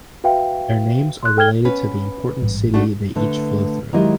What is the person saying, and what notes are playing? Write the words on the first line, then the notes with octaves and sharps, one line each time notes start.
Their names are related to the important city they each flow through.
F#4 B4 E5 F5 G5
C6 F#6
A4 G5 F6 G#6 G7
B3 C#4 B4
A1 G#2 G3
A3 D4 F#4
D3 A3 B4
D#3 F#3 G#3 E4 G4 D#5